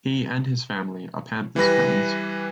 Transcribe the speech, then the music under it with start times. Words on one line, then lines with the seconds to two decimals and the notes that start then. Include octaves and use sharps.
He and his family are Panthers fans.
1.56 E3 G3 B4 A#6